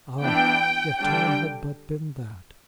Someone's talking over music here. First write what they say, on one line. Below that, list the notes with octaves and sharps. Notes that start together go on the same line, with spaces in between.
Ah! if Tom had but been that!
E3 B3 D4 G5
D3 G3 D4 G5